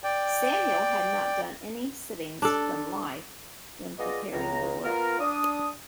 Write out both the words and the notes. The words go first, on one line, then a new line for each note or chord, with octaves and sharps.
Samuel had not done any sittings from life when preparing the work.
D5 G5
D4 A4
G#3 B3 F4 G#4 D5 D#5
C#2 A#5
B3 F4 A#4
D4 D#6